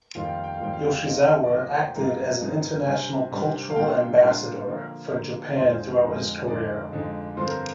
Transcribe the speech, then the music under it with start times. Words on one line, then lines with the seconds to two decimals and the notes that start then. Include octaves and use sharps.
Yoshizawa acted as an international cultural ambassador for Japan throughout his career.
0.15 F2 D#3 G3 A#3 F4 F5
0.25 G5
0.34 F5
0.44 G5
0.54 F5
0.60 F2 D#3 G3 A#3 F4 G5
0.73 F5
0.82 G5
0.92 F5
1.06 C3 F3 A#3 D#4 D#5
1.44 D5
1.50 C3 F3 A#3 D#4 D#5
1.62 D#5
1.73 G5
1.96 G2 F3 A#3 D#4 A#5
2.41 G2 F3 A#3 D#4
2.86 C3 G3 D4 G#5
3.32 C3 G3 D4
3.70 F5
3.76 A#2 G3 A#3 D4 F4 G5
4.21 A#2 G3 A#3 D4 F4
4.67 D3 F3 A#3
5.11 D3 F3 A#3
5.57 F2 D3 F3 G#3 D#4 C5
6.02 F2 D3 F3 G#3 D#4
6.47 F2 D3 G#3 D#4 D5
6.93 F2 D3 G#3 D#4
7.37 G2 D3 F3 C4 F4 C5
7.47 A#4